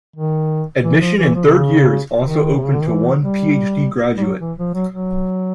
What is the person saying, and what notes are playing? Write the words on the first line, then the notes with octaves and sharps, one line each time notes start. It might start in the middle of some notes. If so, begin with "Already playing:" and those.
Admission in third year is also open to one Ph.D graduate.
D#3
E3
F3
E3
F3
C3
C#3
D#3
C3
C#3
D3
D#3
E3
G3
G3
F#3
E3
F3
F#3
F#3